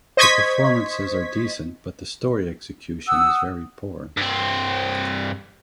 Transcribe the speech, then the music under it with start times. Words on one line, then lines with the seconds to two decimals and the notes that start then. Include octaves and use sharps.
The performances are decent but the story execution is very poor.
0.17 C5 D#5 C#6 G#6 B6
3.08 F#5 D#6 E6
4.17 G2 C4